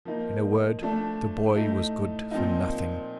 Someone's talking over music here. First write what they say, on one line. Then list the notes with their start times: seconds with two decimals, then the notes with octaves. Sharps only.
In a word, the boy was good for nothing.
0.05 F3 A#3 D#4
0.81 F3 A3 D4
1.56 A2 A3 D#4
2.31 A#2 F3 C4 D#4